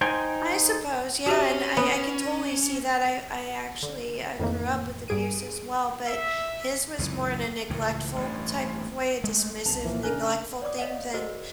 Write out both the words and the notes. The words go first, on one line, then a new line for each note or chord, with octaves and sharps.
I suppose yeah And I I can totally see that, I I actually I grew up with abuse as well, but his was more in a neglectful type of way, a dismissive, neglectful thing than
D#4 C5 G5 G#5
C#4 F#4 G4 E5
B3
D3
F2 A2 D#3 E3 A#3
G2 G3 G#4 D7 D#7
E5
C#2 F#2 E3
C#2 A2 E3
A1 G2
G#3 A3
C2 B3 A5 F7
A#2 E3 F3 A#3
C#3 D4 A4 A#4 G#5 F#6
C#5 D5 D6 D#6
C#5 D#5 F5 F#5
F#4 G#4 A#4 C5 D#5